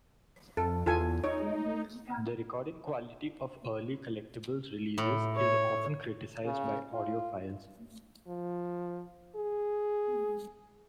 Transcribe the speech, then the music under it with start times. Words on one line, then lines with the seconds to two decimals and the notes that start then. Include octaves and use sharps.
The recording quality of early Collectables' releases is often criticized by audiophiles.
0.57 F2 A4
0.86 E2 F4 A4 G#5
1.24 D#4 C#5
4.98 A2
5.36 C#5
6.45 C#3
6.93 F4
8.28 F3
9.36 G#4